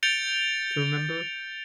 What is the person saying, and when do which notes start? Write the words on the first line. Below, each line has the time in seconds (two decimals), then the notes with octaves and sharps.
to remember,
0.03 G6 A6 C#7 D7 F7 G7